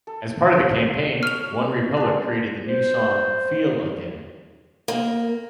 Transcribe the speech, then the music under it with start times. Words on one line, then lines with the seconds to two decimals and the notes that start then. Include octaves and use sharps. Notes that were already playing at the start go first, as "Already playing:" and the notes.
As part of the campaign, OneRepublic created the new song "Feel Again".
0.07 A4
1.23 C#5 F6 F7
1.97 D4 G#4
2.67 C5
4.88 A#3